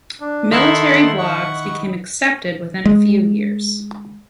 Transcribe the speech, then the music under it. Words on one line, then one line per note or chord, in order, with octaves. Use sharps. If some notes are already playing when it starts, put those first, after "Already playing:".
Military blogs became accepted within a few years.
D4
D#3 E4 A4 F#5 C6
F#5 C#6
G#3